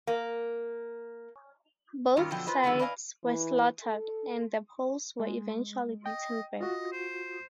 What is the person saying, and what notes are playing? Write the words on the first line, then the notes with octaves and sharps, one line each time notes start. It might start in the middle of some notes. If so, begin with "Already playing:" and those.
Both sides were slaughtered, and the Poles were eventually beaten back.
A#3
G2 D#3 G3 C#4 F4 G4
B2 D3 F3 F#3 D#5 G5
F4 B4 C5 D#5
F#2 D3 D#3 F3 G#3 C4
B4 D5 D#5 F5 G5 G#5
E3
A4
G#3
D#5 G5
F4 F#4 D#5
C5